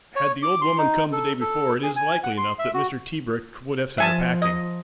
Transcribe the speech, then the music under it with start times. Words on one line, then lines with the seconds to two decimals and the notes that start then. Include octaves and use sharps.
Had the old woman come the day before it is likely enough that Mr. Tebrick would have sent her packing.
0.16 C#5
0.43 D6
0.61 C6
0.78 D#4
1.12 A4
1.41 A4
1.83 G#4
1.96 G#5
2.23 F#5
2.38 C6
2.59 E5
2.74 F#4
3.98 F3 E5 G#5 A5
4.42 D#5